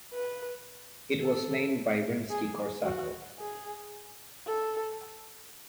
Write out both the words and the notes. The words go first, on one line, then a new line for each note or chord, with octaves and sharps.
It was named by Rimsky-Korsakov.
B4
A4
G#4
F#4
G#4
A4